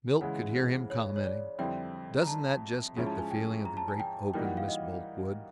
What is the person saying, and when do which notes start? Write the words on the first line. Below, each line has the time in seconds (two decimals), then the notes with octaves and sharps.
Milt could hear him commenting, "Doesn't that just get the feeling of the great open, Miss Boltwood?"
0.21 C#3 E3 G#3 F#5
0.56 C5
0.90 C#5
1.16 C#5
1.24 D5
1.59 F2 D3 G3 C4 E4 G5
2.22 A#5
2.27 A5
2.97 G#2 F3 G#3 C#4 E4
3.07 A5
3.19 G#5
3.31 G5
3.65 A#5
3.77 A5
3.88 G#5
4.00 G5
4.34 E3 G3 A#3 D#4 F#4 G5
4.45 F#5
4.57 F5
4.68 D#5